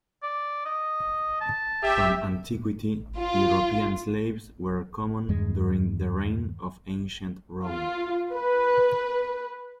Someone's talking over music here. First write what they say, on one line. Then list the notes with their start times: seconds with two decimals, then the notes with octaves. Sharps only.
From Antiquity, European slaves were common during the reign of Ancient Rome.
0.23 D5
0.66 D#5
1.41 A5
1.83 G4 E5
3.18 F4
5.28 E2 G2 D#3 G#3
7.64 F4
8.32 B4